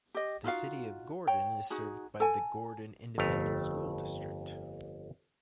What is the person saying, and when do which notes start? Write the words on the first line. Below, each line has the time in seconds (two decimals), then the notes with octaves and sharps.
The City of Gordon is served by the Gordon Independent School District.
0.15 G4 D#5
0.44 D#4 F4 F#4 F5
1.27 C#5 G5
1.70 D#4 F#4 G#4
2.20 A4 G#5
3.18 G1 F2 A3 A#5